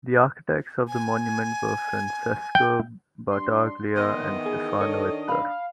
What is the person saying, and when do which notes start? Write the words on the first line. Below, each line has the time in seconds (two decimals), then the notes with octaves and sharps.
The architects of the monument were Francesco Battaglia and Stefano Ittar.
0.88 G#5
2.55 G5
3.31 G3 D4 C6
3.96 D#3 E3 B3 D#5
4.46 G#4
4.81 D4 A4 C#5
5.28 F5 B5